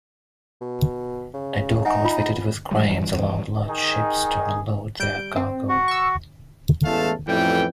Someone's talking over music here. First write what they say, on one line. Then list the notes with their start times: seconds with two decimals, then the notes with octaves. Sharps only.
A dock outfitted with cranes allowed large ships to unload their cargo.
0.61 B2
1.34 C#3
1.85 D#4 E5 F#5 G#5
2.05 F4 B5
2.71 D#1 C#2 E3 G3
3.68 D#3 D#4 G#4
5.00 G3 G6 D7
5.37 C4
5.69 F#4
5.88 C#6 E6
6.84 A1 E2 G#3 A3 F5 A5
7.28 A1 F2 A2 E3 G3 G5